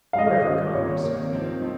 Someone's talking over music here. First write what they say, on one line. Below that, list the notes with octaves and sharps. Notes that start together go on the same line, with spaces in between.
Whoever comes.
F5
D#3 G3 C#4 F4 D#5
D#3 G3 C#4 F4
C3 D#3 A#3 C#5
C3 D#3 A#3
F3 C4 D#4
F3 C4 D#4